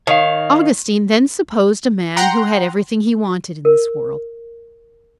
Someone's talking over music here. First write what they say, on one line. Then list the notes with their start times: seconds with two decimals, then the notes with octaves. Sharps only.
Augustine then supposed a man who had everything he wanted in this world.
0.07 D#3 C#5 F5
2.16 F#5 G5 A#5 C6
3.65 A#4